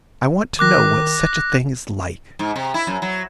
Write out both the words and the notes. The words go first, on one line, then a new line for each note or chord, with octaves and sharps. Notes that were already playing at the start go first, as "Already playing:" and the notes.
I want to know what such a thing is like.'
D#3 D6 F#6 A#6
G#2
C3
E4
F#2
F#3